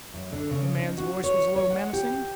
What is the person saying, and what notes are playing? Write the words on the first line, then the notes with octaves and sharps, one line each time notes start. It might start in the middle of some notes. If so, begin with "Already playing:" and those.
The man's voice was low, menacing.
F#2
D3
C#3
D#4
F#4
C#5
C#5
F#5
G4